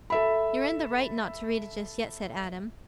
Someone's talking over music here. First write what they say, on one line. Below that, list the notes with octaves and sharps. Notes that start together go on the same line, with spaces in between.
"You're in the right not to read it just yet," said Adam.
A4 E5 B5